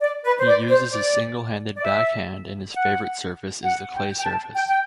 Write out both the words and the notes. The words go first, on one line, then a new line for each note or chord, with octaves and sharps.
He uses a single-handed backhand and his favorite surface is the clay surface.
D5
B4
C5
D5
C5
D5
D5
E5
F#5
F#5
G5
G5
A5
G5
G5